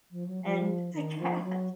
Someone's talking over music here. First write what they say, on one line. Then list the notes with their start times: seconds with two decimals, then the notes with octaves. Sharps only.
and the cat,
0.11 F3
0.27 F#3
0.43 F3
0.93 D#3
1.19 F3
1.42 F#3